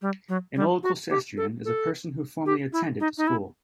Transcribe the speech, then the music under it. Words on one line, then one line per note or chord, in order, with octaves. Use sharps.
An Old Colcestrian is a person who formerly attended the school.
G3
F#3
G3
F#4
G4
A4
A4
G4
E4
D#4
D#4
E4